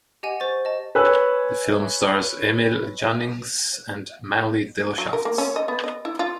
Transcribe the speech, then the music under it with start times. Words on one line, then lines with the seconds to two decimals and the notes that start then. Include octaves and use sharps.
The film stars Emil Jannings and Maly Delschaft.
0.23 G4 D#5 F#5 G#5 D#7
0.40 C5 C#6 A6
0.65 D#5 A5
0.95 B4 C#5 G#5 E6 F#6
4.98 F#3
5.13 A#4
5.25 A#3
5.38 C#4
5.56 D#5
5.68 B3
5.84 D#5
6.05 E4
6.19 F4